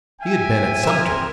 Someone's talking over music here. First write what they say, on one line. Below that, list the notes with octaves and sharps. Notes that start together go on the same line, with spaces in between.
He had been at Sumter.
E5 G5 G#5
C4 A#4